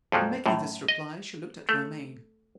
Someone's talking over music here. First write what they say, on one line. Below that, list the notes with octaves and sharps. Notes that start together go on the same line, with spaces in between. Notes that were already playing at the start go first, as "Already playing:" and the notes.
In making this reply, she looked at Romayne.
F2 A#2 F3 F#3
F#2 A2
D#5
A3